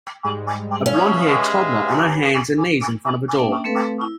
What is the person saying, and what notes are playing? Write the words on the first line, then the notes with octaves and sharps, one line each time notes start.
A blondhair toddler on her hands and knees in front of a door.
G#2 G3 G#3
C#4 E5 F5
G#3 G4 B4 G#5
A#3 C#4 D4 E5 G5
A3 C4 A4 B4 F5
E4